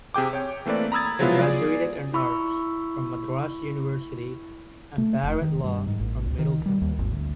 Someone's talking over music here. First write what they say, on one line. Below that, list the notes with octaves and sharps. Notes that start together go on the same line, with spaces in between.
He graduated in Arts from Madras University and Bar-at-law from Middle Temple.
C3 G#4 G5 D6
C#5 G5
E3 A3 A#3 C4 B4 D5
A#5 B5 D#6 E6 G#6 A6
F3 F#3 G#3 B3 E4 F4
G#4 D5
E4 B5 C#6 E6
A3
F1
D#3
G2
G#2
A1
C#2
D#3
G3
D#2
G#1
D2